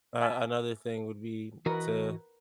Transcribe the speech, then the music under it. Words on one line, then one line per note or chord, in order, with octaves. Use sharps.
uh, another thing would be to,
E5 G#5 A5
E3 F#4 A#4 B4 D#5